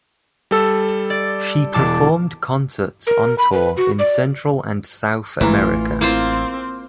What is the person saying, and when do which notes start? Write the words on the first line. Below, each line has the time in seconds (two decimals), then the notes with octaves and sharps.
She performed concerts on tour in Central and South America.
0.51 G3 A4 E6
1.10 D5
1.73 E1 A5 D6
3.07 A#4
3.38 B5
3.52 B4
3.77 F#4
3.99 D5
5.41 A1 E3 A3 E4 F4 A#5
6.01 A#3 C4 E4 F4 C5